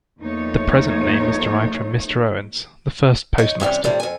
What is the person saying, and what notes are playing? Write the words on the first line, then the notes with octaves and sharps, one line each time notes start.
The present name is derived from Mr. Owens, the first postmaster.
E2 F3 A3 A#3 D#4 C#5
D#4 C#5
C3 E3 G3 C#4
A2 C3 D#3 F3 G3 C4
F2 G#5